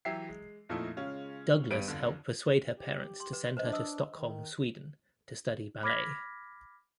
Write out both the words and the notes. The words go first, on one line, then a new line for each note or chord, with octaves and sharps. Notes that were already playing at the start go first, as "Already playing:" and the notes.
Douglas helped persuade her parents to send her to Stockholm, Sweden to study ballet.
E3 F#3 G4 E5 C7
G#3
F2 A#2 F3 A3 D#4 E4
C#3 G#3 C#4 F4
G#1 G2 G3 B3 D7 D#7
F2 D3
G4
C6
B4
D4 B4 C5 D#5
D#5 D#6 E6
D#3
B5 D6 F6 G#6 A#6 B6